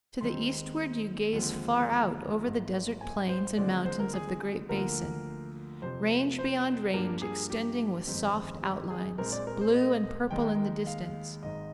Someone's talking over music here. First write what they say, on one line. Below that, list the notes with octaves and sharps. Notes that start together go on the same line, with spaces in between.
To the eastward you gaze far out over the desert plains and mountains of the "Great Basin," range beyond range extending with soft outlines, blue and purple in the distance.
D#2 D#3 G#3 C4 C6
D#2 D3 F3 G#3 C4
A#5
G#1 G#2 F3
G#5
C5
D#2 D3 F3 G#3 C4 D5
C5
A#4
G#4
D2 D3 F3 A#3 A#4
F2 C3 F3 C5
C5
G2 F3 A#3 D4 A#4
G#4
G4
G1 F2 D#3 G#3 C4
G4
G#4
A#1 A#2 G#3 C4 A#4
D5
A#4
C5
D#5
D#2 D#3 G#3 G5
F5
G#1 G#2 D#3 D#5